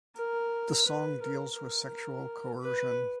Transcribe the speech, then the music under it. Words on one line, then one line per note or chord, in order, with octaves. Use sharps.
The song deals with sexual coercion.
A#4
B4
A#4
A#4
B4